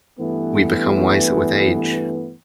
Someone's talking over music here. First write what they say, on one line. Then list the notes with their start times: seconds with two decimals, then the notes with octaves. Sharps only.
We become wiser with age.
0.19 G2 E3 A3 B3